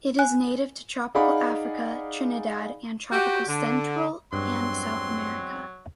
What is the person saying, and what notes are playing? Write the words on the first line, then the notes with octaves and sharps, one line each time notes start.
It is native to tropical Africa, Trinidad, and tropical Central and South America.
G#5 F#6
D#4 G#4 D5 F5 F#5 B5
F#4 G4
D3
E2 G2 F#3 G#3 C4 C6